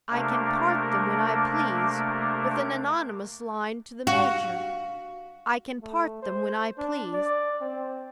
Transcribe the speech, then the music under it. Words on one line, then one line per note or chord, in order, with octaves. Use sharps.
I can part them when I please; with an anonymous line to the major, I can part them when I please!
C3 A3 A#3 D4 A#4
F#4 F5
A3
C5
D4
D5
C4